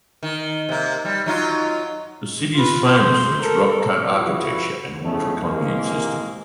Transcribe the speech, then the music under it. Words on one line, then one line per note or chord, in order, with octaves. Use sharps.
The city is famous for its rock-cut architecture and water conduit system.
D#3
C3 A#3
G3
F#3 D#4 F4
F4 B4
C5
A4 A#4
C#3 F3 E4 F#4 B4
A2 C#3 F3 A3 C#4 D#4
G#1 C3 E3 G#3 A#3